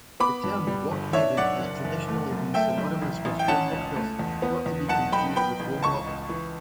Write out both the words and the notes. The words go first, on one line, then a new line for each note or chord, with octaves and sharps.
The term workhaven has traditionally been synonymous with home-workers-not to be confused with homework.
B3 B5 D6
G2
G3
G1
D4 C#5 E5
B1 D5 F#5
F#1
F#1
A3
F#2
A3 E5 G5
B1
A1
A1
G5
C#4 F#5 A5
C#2
A3
E2
B3
E2
B1 F#5 A5
B1 G5 B5
B3 G5 B5
A1
C#2 A5 C#6
C#2
E3